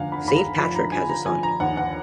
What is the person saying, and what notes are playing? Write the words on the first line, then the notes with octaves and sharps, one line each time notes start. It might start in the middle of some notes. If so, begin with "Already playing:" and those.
Saint Patrick has a son.
Already playing: F1 D3 F3 F5 F#5 G#5 A#5
B5
D#2 B5
A#5
F3 B5
A#5
F3 G#5
A#5
F3 G#5
A#5
D#2 F#5
F#5